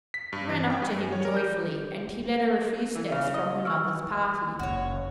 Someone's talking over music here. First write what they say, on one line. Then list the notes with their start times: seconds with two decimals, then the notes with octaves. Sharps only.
She ran up to him joyfully, and he led her a few steps from her mother's party.
0.14 B6
0.33 G2
0.49 E3
0.70 G5
0.82 G2
0.98 G#5
1.12 C#5
1.25 A#4
1.37 G6
2.95 E3
3.12 C#3
3.34 D#5
3.65 C#6 E6 F6
4.59 F#1 D#4 F#4 C#5